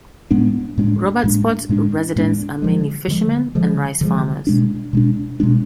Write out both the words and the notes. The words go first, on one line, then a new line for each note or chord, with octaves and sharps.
Robertsport residents are mainly fishermen and rice farmers.
A2 G#3 B3 D4
A2 G#3 B3 D4
A2 G#3 B3 D4
A2 G#3 B3 D4
A2 G#3 B3 D4
D3 F3 G#3
D3 F3 G#3
D3 F3 G#3
D3 F3 G#3
B2 G#3 D4
B2 G#3 D4
B2 G#3 D4